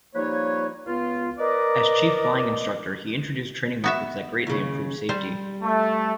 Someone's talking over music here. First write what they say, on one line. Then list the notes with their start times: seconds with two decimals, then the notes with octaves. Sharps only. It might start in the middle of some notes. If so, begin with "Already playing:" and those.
As Chief Flying Instructor he introduced training methods that greatly improved safety.
0.15 F3 G3 A#3 D#4 B4 C#5
0.86 C#2 B3 F4
1.39 A#4 B4 D5 D#5
3.84 B3 F#4 E5
4.47 D#2 C#3
5.09 G3 C5
5.63 A3